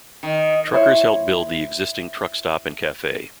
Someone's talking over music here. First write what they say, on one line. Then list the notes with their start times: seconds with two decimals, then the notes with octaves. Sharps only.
Truckers helped build the existing truck stop and cafe.
0.23 D#3
0.73 E4 C5 C#5